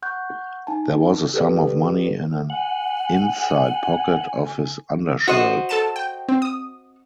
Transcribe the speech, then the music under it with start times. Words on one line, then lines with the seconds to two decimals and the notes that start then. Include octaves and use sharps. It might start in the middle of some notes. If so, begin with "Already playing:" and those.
There was a sum of money in an inside pocket of his undershirt.
0.02 F#5 C#6 F#6 G6
0.67 D#4 G#5 A5
1.34 G4 A4 B4 D5
2.50 F#5 G#5
5.27 F#4 C5 D#5
5.69 A4 A5 E7
5.96 G5
6.29 C4
6.42 D#6